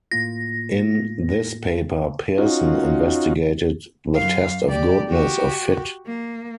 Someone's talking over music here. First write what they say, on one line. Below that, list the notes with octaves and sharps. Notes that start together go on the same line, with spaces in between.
In this paper, Pearson investigated the test of goodness of fit.
A2 A#3 F4 A#6
C#4 D#4 F4 F#4
F#2 F5
G4 D5
F#4 G4
A#3